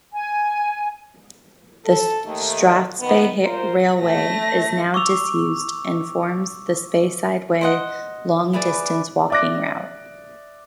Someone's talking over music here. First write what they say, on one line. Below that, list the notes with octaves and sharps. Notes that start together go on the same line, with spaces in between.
The Strathspey Railway is now disused and forms the Speyside Way long-distance walking route.
G#5
A4
D#2 D#3 A3
D#3 B3
F4 A#4 C5
A3 A#6
C#6 D6 E6 F7
C5 D#5 F#5
E4 G#4 B4 D5
D5 E5 D6 F#6 A#6